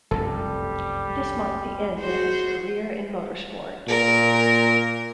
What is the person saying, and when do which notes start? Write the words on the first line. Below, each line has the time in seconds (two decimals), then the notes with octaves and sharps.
This marked the end of his career in motor sport.
0.11 F1 C2 F#2 G3 A4
2.00 F#4 G#4 C5
3.88 A#2 A#4